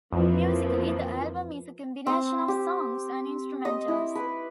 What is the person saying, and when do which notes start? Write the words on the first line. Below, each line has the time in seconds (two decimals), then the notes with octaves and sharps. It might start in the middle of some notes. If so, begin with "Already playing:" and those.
Musically, the album is a combination of songs and instrumentals.
0.13 F2 E3 F3 A#3
2.07 C4
2.48 G4
3.65 D#5
3.88 E4
4.15 B4